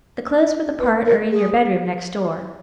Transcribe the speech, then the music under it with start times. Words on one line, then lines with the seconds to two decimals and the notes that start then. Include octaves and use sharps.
The clothes for the part are in your bedroom next door.
0.79 B4
1.05 A#4
1.31 G#4